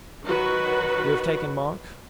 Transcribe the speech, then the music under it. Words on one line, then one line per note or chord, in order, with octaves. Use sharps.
"You have taken Monk?"
D#3 F#3 F#4 B4